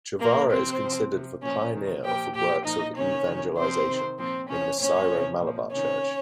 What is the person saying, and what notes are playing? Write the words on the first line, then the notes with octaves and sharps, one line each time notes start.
Chavara is considered the pioneer of the works of evangelization in the Syro-Malabar Church.
A#2 F3 A#3 A#4
C3 F3 C4 C5
C3 F3
C3 F3
A#2 F3 C#4 C#5
C3 D#3
A#2 F3 G4 G5
A#2 F3 G4 G5
A#2 F3 D#4 D#5
C3 D#3 C#4 C#5
C3 D#3
C3 F3 C4 C5
C3 D#3
A#2 F3 C4 C5
C3 F3 C#4 C#5
A#2 F3 C#4 C#5
C3 F3
A#2 F3
C3 D#3 C#4 C#5